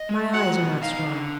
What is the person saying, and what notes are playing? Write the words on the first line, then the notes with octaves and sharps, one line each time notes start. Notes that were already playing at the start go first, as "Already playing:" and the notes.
"My eyes are not strong."
Already playing: D#5
G#3
F#4 F#5
B2
D#4 F5
D3